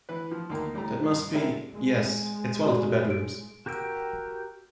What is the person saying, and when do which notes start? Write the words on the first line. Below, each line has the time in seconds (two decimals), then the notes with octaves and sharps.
That must be — yes — it's one of the bedrooms.
0.09 E3 B4
0.31 F3
0.49 D2 D#3 A#3 A#4
0.74 A2 G3 A3 A#5
1.03 G2
1.33 G#3 D4 E4 G4 A4 A#4
1.72 G#3
2.65 F#4 G4 D5
3.10 D7
3.66 F#4 G4 A#4 G5 E6